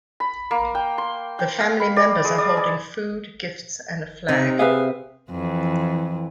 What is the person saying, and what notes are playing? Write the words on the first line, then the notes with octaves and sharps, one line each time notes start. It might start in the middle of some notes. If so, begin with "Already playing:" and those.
The family members are holding food, gifts, and a flag.
B5
A#3
G5
C6
G5
F5
B5
D5
G#3
D5
G#4
C3 D#4
G#4 B4 E5 F5
F2 E3